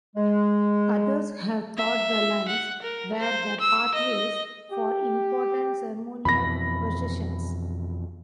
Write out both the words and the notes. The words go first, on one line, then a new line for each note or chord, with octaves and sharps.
Others have thought the lines were the pathways for important ceremonial processions.
G#3
E5
F#5
A#4
C5
E6
D#5
G4
F2 B2 E3 B5 A#6